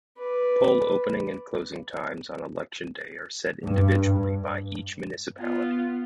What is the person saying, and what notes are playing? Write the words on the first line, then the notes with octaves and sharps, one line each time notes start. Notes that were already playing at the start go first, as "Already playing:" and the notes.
Poll opening and closing times on election day are set individually by each municipality.
B4 D5
G2
B3 F4